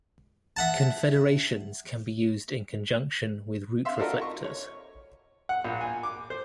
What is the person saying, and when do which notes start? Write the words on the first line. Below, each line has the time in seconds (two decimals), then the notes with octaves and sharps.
Confederations can be used in conjunction with route reflectors.
0.57 E5 F#5 A5
3.85 E5 F5 C6 E6
3.99 D4 D#4 F4 F#4 A4 A#4
4.22 C#6
4.44 C#5
5.49 F#5
5.65 A#1
5.81 G#5
6.03 D6
6.30 C5